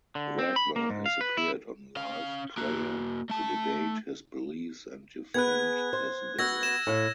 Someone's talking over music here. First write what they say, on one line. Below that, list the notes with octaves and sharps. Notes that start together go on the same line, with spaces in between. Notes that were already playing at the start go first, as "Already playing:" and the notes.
Redner has appeared on Live Prayer to debate his beliefs and defend his business.
D3
C4
B5
A#3
G#2
F5
B4
E4
C#4 F5
A#3 F#4
A3 A5
B3 G#4 B4 F#6 G#6
C5
B3 F#4 E6 G#6 A#6
E7
A2 F5